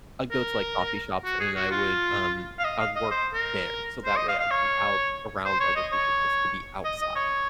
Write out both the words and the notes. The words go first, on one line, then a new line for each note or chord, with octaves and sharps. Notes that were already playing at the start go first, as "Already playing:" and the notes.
I'd go to, like, coffee shops and then I would, um, I would work there, so that way I'd be out around other people just to be outside.
A#4
F#4
G#4
F#4
F4
F5
D#5
F5
D#5
C5
A#4
C5
D#5
F5
F5
C#5
C5
C#5
D#5
C#5
D#5
D#5
C#5